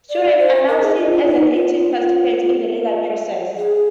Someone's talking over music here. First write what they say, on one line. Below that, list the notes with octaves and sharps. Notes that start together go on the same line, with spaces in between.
Students are now seen as active participants in the learning process.
D5
C5
A#4
G#4
F4
F4
D#4
F4
F4
G#4